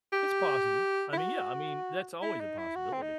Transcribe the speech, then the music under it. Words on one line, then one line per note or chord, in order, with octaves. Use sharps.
It's possible. I mean, yeah, I mean, that's always a possibility.
G4
E4
F#4
E4
D#4
E4
F#4
C4
D#4